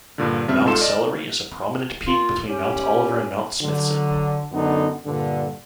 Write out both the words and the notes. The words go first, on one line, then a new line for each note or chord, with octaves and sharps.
Mount Sellery is a prominent peak between Mount Oliver and Mount Smithson.
G2 A#2 D3
F2 C#3 G3 C4 E5 F6
G#2 F4 A4 C6 E7
D5 D#5
A#3 F4
C#4 G4
D3 F#3
F#2 D3 B3 D#4
G2 A#2 D3